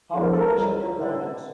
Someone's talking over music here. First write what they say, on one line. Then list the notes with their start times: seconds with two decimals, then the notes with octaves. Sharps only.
How to Measure a Planet?
0.13 E2 D3 F3
0.22 A#4
0.32 A4
0.40 A#4
0.55 C#2 C#3 G3
0.97 A2 E3 G3 A4